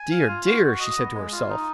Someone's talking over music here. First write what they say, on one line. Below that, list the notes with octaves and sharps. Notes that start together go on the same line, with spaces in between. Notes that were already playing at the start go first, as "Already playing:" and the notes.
'Dear, dear!' she said to herself.
Already playing: G#5
F5
F4
F#4
F#4
D#5
B3
G#3
F4
D#4